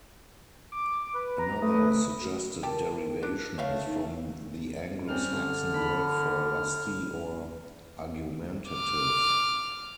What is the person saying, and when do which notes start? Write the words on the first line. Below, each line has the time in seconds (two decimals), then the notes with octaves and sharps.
Another suggested derivation is from the Anglo-Saxon word for "lusty" or "argumentative".
0.72 D6
1.15 B4
1.39 A#5
1.62 A3 B4 D#6
2.21 F#4
2.63 G4 A4 A#4
3.23 D4
3.58 A3 C#5 E5 F5
3.86 D#4
5.08 G3 C4 C#4 F6
5.29 D3
5.74 D4 B5
8.69 D6 F6